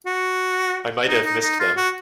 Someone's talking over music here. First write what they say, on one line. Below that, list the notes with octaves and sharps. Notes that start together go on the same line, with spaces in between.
I might have missed them.
F#4
D#4
D#4
D#4
F4
F#4